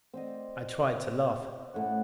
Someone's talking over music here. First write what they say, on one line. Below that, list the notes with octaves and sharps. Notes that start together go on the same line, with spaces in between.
I tried to laugh.
C4 D5 D#5
A2 C#4 F#5